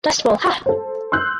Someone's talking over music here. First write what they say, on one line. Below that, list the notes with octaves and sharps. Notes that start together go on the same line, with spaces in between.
Dust Bowl Ha!
A4 C5
C6 E6 F#6 G6